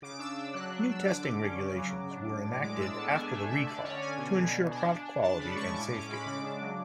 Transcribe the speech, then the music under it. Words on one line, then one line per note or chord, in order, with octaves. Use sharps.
New testing regulations were enacted after the recall to ensure product quality and safety.
C#3 D6
D4 E6
D4 E6
F#3 F#6
D4
D4 E6
D3 D6
D3
C#4
C#3
F#3
F#3
D4
A2
A2
G#3 D6
D4 E6
B3 A5
D4 G#5
A3 E5
D3 E5
D3 D5
C#4 C#5
D3 G#5
B2
B2
B2
D4
D4
D4
D4 A5
C#3 B5
G#3 C#6
A2 D6
C#4
D6
G#3 B5
C#3 D6
D4
F#3